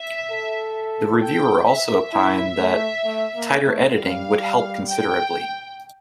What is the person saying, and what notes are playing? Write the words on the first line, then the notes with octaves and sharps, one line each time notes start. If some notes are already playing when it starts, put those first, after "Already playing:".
The reviewer also opined that "Tighter editing would help considerably".
Already playing: E5
A4
G5
E5
E4 E5
A3
A3
A#3
A3
G3 F5
G5